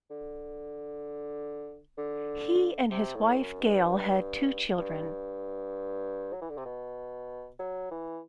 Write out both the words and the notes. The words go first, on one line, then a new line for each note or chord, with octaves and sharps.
He and his wife Gail had two children.
D3
D3
C3
A2
F#2
G2
G2
F#3
E3
D3
C3
B2
F#3
E3